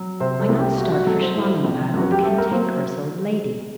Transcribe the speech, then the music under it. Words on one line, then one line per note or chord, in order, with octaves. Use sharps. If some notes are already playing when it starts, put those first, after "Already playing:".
Why not start for Schlangenbad with the Cantankerous Old Lady?
Already playing: F#3
C3 C5
A4
C2
G4
A3 F#4
F#4
F#3 A4
C5
A2
A#1
F#2 F#4
G4
A3 A4
A#4
F#3 C5